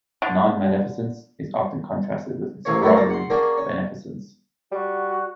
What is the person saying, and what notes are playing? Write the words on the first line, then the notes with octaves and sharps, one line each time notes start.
Non-maleficence is often contrasted with its corollary, beneficence.
D3
A1 C3 A#3 G#4 C#5
A3 B3 C4 D4 A#4 C#5
A#3 A5 A#5
F#5 C6
A#3 C#4 D4 F#4 G#4 A#4
C#4
G3 F#4